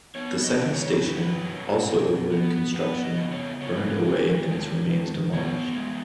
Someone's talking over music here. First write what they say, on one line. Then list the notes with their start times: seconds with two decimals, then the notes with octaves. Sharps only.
The second station, also of wooden construction, burned away and its remains demolished.
0.15 B3 C#5
0.44 D#5
0.59 D#3
0.65 D#5
0.73 C#5
1.01 C#4 B4
1.45 F#3
1.89 B2
2.31 B3
2.74 B3 B4
3.03 D#5
3.18 C#3
3.31 C#5
3.61 F#3 C#5
3.74 B4
3.88 G#4
4.03 D#3 B4
4.48 G#3
4.90 D#3
5.33 B3 C#5
5.77 G#3